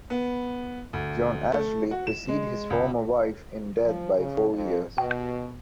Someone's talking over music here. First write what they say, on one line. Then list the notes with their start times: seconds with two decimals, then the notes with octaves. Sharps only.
John Ashley preceded his former wife in death by four years.
0.10 B3
0.93 D2
1.53 A3
1.91 F#4
2.07 E7
2.28 G#3
2.70 C#2
3.84 F3
4.16 C#3
4.53 F2
4.97 B2